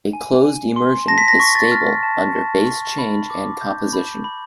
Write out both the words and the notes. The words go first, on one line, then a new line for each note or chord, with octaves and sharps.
A closed immersion is stable under base change and composition.
G#5
G#5
C6
A5 A#6
B6
A#6
C#6
A6
F6
A5
A5
C#6
B5
D6
G6
B5
B5